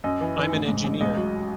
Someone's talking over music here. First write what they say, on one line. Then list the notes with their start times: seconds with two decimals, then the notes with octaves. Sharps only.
I’m an engineer.
0.04 F#2 D#5
0.21 E3
0.37 E3
0.53 A1
0.68 G#2
0.84 A1
1.01 C#2 D#5
1.17 F#3